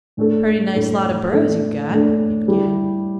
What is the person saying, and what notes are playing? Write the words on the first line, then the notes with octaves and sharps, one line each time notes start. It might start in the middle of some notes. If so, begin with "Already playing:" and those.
"Purty nice lot of burros you've got," he began.
A2 A3 D4 A4
A2 A3 D4 A4
A2 A3 D4 A4
A2 A3 D4 A4
G3 E4 G4